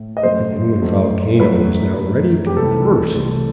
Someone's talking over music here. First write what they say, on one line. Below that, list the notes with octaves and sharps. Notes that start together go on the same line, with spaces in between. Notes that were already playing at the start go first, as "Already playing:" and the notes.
The human volcano was now ready to burst.
Already playing: A2 A3
D#5
F#2 F#3 A3 C5
F#2 F#3 A3
F#2 F#3 A3 B4
F#2 F#3 A3
G4
C2 C3 E3 A3 A4
C2 C3 E3 A3